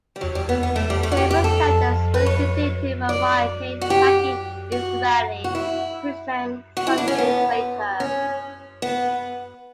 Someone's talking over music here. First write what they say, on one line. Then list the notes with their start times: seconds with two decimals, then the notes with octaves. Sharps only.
Several settlers were indicted for rioting and attacking Israeli policemen some days later.
0.16 G3
0.21 F#3
0.35 G3
0.49 B3
0.63 B3
0.76 A3
0.90 G3
1.03 A3
1.12 F#4
1.17 G4
1.31 G4
1.44 A4
2.14 B4
2.26 C#5
3.09 D5
3.81 F#4
3.90 G4
4.72 F#4
5.44 F#4
5.55 E4
6.77 F#4
6.87 E4
6.98 D4
7.08 C#4
7.18 B3
8.00 C#4
8.82 B3